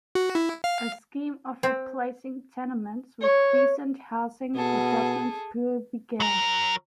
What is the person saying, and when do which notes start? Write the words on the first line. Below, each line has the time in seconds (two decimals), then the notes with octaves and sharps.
A scheme of replacing tenements with decent housing for Dublin's poor began.
0.15 F#4
0.35 E4
0.64 F5
1.63 C4
3.22 C#5
4.56 B2 G#4 A4
6.20 F#3 A#4